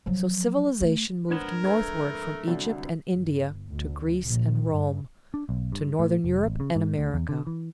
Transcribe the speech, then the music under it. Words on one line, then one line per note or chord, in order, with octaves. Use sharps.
So civilization moved northward from Egypt and India to Greece and Rome, to northern Europe and America.
F3 F#3
A3
F2 G#2 B3 D4 A#4 C5 G#6 E7
A3 B4 A#5 G#6
C2 D3 F#3 D5
G1
D2
A#1
G2
D4
B1
G2
A2
F1
A1
C#3
G#2
D2
E2
D3
E3